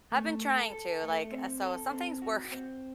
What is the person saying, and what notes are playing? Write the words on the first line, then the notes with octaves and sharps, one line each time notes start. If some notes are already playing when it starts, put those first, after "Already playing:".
I've been trying to, like, so some things work
A3
A4
A4
A3
C4
A4
C4
F#4
C4